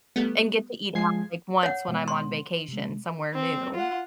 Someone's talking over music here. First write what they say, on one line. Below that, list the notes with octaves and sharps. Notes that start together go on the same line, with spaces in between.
And get to eat out, like, once when I'm on vacation somewhere new.
G3 A3 B3
F3 G#3 G#4 G#6 C7
C#5 F#5
B2 G#3 B3
C6
C3 G#3
C4
F4 F#5